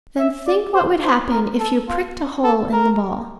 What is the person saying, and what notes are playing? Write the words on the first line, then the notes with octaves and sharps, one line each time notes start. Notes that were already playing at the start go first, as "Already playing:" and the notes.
Then think what would happen if you pricked a hole in the ball.
E5
D5
C5
C5
A#4
A4
F4
A4
A#4